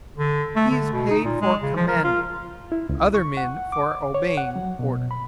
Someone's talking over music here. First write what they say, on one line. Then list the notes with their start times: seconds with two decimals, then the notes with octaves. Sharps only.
He is paid for commanding, other men for obeying orders.
0.18 D3
0.56 A3
0.71 D3
0.93 B2
1.11 D#4
1.24 A#2
1.41 G#3
1.63 C#3
1.76 F3
1.88 A#4
2.04 F4
2.72 E4
2.89 C#2
3.14 C#6
3.37 F#5
3.72 D6
4.14 C#5
4.37 F#5
4.56 F#3
4.79 B2
5.11 B5